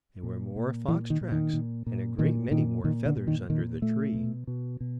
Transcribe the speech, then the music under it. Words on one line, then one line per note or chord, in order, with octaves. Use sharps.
There were more fox-tracks, and a great many more feathers under the tree.
A#2
A#2
A#2 E3
D#3
A#2
D#3
A#2
A#2
A#2 D#3
A#2 D#3
A#2 D#3
D3
A#2
D#3
A#2 D#3
A#2 A3
B2
B2
B2